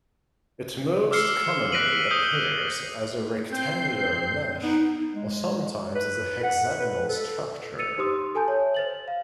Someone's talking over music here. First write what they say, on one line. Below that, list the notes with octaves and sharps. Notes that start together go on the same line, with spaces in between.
It most commonly appears as a rectangular mesh or sometimes as a hexagonal structure.
D6 E6 F6 C7 C#7
F#6 A#6 B6 D7 D#7 F#7
D#6 G6 D#7 G7
C4 G6 C7
B3 D#4
G#3
B4
F#5
B4
A4
E6 A6 C#7 D#7 F7
D#4 G4 C5 C6 D#6
A4 G#5 A5 G6
C#5 E5
C5 A6 F#7
F5